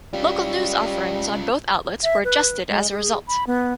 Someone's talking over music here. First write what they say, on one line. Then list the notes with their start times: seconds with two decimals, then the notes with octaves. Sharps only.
Local news offerings on both outlets were adjusted as a result.
0.13 G3 C#4 F4
2.03 E5
2.24 B4
2.69 G#3
2.91 G#4
3.28 B5
3.47 B3